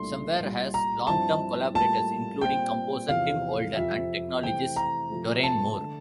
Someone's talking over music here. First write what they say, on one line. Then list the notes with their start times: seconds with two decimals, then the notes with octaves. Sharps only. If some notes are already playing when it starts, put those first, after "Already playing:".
Somewhere has long-term collaborators including composer Tim Olden and technologist Dorian Moore.
Already playing: C2 A#2 A3 D4 C6
0.40 C2 A#2 G3
0.74 A#5
1.07 G2 F3 C4 E4 A5
1.74 A2 G3 A#3 F4 A5
2.41 A#2 G3 C4 F4 G5
3.09 E2 C3 F3 F5
3.76 F2 C3 F3 E5
4.42 C3 E3 A3 C4 E4 G5
4.76 A#5
5.10 C3 F3 A3
5.43 A5
5.79 D3 A3